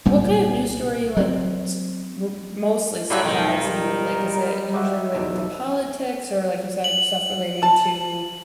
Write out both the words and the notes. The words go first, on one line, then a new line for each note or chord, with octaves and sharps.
what kind of news story, like, s w mostly surprise you? Like, is it usually relating to politics or like you said, stuff relating to,
C2 A#2 G3 A3
F#3 C4
A2 F#3 G3 E4 F#4 A4 F5
B1 F2 G#2 D#3 G#3 A4
G3 A#4
F#4 G4 E5
B1 E2 B2
F#7
A5